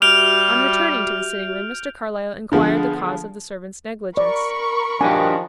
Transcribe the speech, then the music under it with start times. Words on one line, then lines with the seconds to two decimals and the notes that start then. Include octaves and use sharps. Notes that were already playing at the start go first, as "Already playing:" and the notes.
On returning to the sitting-room Mr. Carlyle inquired the cause of the servants' negligence.
0.02 G3 F#4 G4 E5 F6 G6 D7 F7
2.52 D3 F3 G#3 B3
4.17 A#4 D5 B5 C#6
5.01 D#3 F3 D4 F#4 G4 G#5